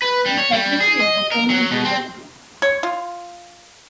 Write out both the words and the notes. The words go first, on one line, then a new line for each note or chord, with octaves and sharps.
She is secretary at Bocconi University.
B4
G3
C#5
G3
G#4
D#5
A#4
F#3
B2
C4
C#5
F4